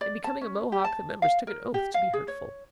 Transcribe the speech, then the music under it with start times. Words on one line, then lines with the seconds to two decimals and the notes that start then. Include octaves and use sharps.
In becoming a Mohawk the members took an oath to be hurtful.
0.01 D5
0.24 A5
0.41 C#4
0.72 G4
0.84 A5
1.22 F5
1.47 A#4
1.74 G4
1.94 F5
2.13 G#4
2.28 C#5